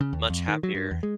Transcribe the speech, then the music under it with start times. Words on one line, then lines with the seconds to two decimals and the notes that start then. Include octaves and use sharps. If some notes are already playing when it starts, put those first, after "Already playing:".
much happier.
0.01 C#3
0.13 D#2
0.30 F2
0.48 D#3
0.63 F#3
0.74 G2
0.91 E2
1.03 G#3